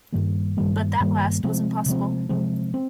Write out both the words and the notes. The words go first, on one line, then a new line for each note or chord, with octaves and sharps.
But that last was impossible.
G2 D#3 G3 A#3
G2 D#3 G3 A#3
G2 D#3 G3 A#3
C3 F3 G#3 C4
C3 F3 G#3 C4
C3 F3 G#3 C4
C4